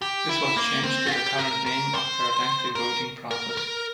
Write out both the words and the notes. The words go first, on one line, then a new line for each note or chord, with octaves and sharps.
This was changed to the current name after a lengthy voting process.
G4
E4
A#3
C4
F4
G4
A#4
A#4
C5
A#4
A#4
A#4